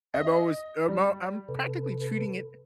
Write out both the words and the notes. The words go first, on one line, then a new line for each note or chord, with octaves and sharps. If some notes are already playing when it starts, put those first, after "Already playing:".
I'm always I'm all I'm practically treating it
D#5
G3
C3 A4 B4